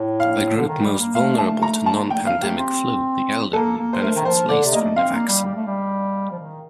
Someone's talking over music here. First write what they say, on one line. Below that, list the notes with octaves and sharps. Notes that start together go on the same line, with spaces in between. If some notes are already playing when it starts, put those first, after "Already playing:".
The group most vulnerable to non-pandemic flu, the elderly, benefits least from the vaccine.
Already playing: A2
F5
D3
D#3
G3
A#3
A3 F5
A5
A#5
A5
A3 G5
F5
A3 G4
C4
A#3 A4
A#3
C5
A3 A#4
D#3
F3 C5
D3 D5
C3
A#3 D#5
A3
C4 F5
A#3
G3
G3
A3
G3
F3
D#3